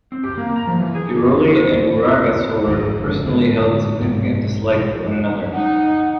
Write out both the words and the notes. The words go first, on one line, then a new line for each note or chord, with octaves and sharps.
Biroli and Rwagasore personally held significant dislike for one another.
C4
G4
A#3
A#5
F3
E3
G#4
C5
G#1 F2 A#2
A2 D3 G#3
B1 G#2 C3
B2 F3 G#3
D#4 F#5